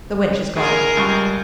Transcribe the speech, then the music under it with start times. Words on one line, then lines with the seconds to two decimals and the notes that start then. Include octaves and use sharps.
The wench is gone.
0.57 D2 G#4 A#4
0.97 C#2 G3 C#6